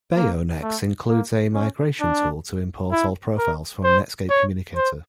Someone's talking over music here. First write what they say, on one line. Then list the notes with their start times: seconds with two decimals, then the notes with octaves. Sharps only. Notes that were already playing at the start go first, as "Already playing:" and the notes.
Beonex includes a migration tool to import old profiles from Netscape Communicator.
0.16 A#3
0.62 A3
1.08 A#3
1.54 C#4
2.00 D4
2.92 E4
3.38 A#4
3.84 C5
4.30 C#5
4.75 C5